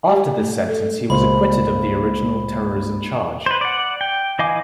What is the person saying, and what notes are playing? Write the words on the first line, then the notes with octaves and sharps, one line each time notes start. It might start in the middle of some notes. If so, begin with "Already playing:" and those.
After this sentence he was acquitted of the original terrorism charge.
G4
A3
A4
C#2 G#3 A#3 F4 C5 B5
B4 C5
D5 F#5
G5
E3 D#5 F5 G#5 D6